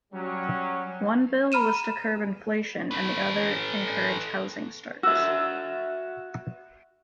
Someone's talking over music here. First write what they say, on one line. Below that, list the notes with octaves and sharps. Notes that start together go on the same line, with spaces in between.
One bill was to curb inflation and the other encourage housing starts.
F#3 G3 C#4
A#5 B5 F6 D#7 E7
A4 B4
F#4 E5 E6